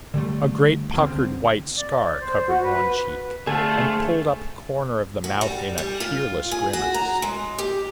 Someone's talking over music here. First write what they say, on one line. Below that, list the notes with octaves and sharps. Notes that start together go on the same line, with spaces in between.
A great puckered white scar covered one cheek and pulled up a corner of the mouth in a cheerless grimace.
D3 G3 A3
C#2 D3 C4
D5
C5
F#4
B4
D3 A3 G#4 C5 F5 A5
F#4
G3
G3
F4
G#4
F#4
A#5
G#3
G4